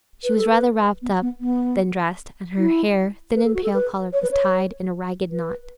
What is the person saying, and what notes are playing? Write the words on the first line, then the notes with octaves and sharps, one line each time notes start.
She was rather wrapped up than dressed, and her hair, thin and pale-coloured, was tied in a ragged knot.
B4
A4
B4
B3
B3
B3
E4
B4
A4
F#4
A4
B4
C#5
B4
C#5
B4